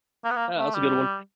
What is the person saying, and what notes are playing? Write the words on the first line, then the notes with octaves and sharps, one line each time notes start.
Ah, that's a good one.
A#3
B3
A#3
A3
G3